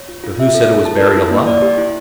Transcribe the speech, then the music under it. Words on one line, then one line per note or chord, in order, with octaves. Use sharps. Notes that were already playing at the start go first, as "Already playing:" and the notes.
"But who said it was buried alive?"
Already playing: C#5
F4
F4
E5
A4
F4
A5
A#4
E4
A#3
D5
G4
E4